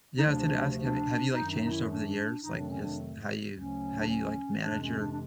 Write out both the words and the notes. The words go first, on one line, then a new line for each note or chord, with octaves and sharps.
Yeah, I was gonna ask, have you have you, like, changed over the years, like, just how you how you, like, manage your
D#4
D2 C3 F3 A3 D4
D4
F#2 D#3 F#3 D#4
D#4
D#4
E4
D4
F2 C3 D#3 F#3 A3 D#4
D4
C#4
D4
D2 C#3 F#3 A3 C#4
D4
C#4
F2 C3 E3 G#3 D4
C#4
D4
D4